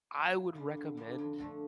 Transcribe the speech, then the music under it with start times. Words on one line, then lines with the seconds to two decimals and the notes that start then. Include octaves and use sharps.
I would recommend
0.14 E3 A#3
0.34 E2
0.55 D3 G3 D4 F4
0.77 E2
0.97 D3 G3 D4 F4
1.18 F2
1.38 D3 F3 A3